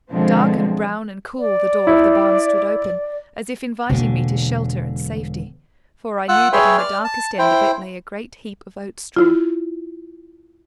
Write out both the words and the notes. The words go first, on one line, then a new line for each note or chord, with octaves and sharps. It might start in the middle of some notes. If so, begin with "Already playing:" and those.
Dark and brown and cool the door of the barn stood open, as if inviting me to shelter and safety; for I knew that in the darkest end of it lay a great heap of oat-straw.
B2 D3 F3 G#3 C4
D5
E4
E1 B2 D3 A#3
F4 F#5 E6 F#6
G#4 B4 C#5 E5 G5 C6
D5 F6
A5
E4 C5 G5
E4 F4